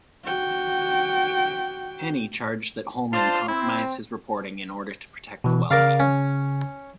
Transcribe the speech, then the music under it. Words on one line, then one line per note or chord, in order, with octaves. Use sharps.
Heney charged that Holman compromised his reporting in order to protect the wealthy.
F#4 G5
D4 F4 C5 A5
C4 E4
B2 E3
C#3 A#4 D5 F5
C#4